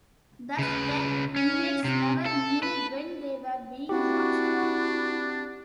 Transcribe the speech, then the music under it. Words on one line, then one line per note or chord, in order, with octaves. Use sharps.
Thus the inmates never knew when they were being watched.
C#3 B4
C#4
C3
A4
B4
C4 D4 E4 F#4 G4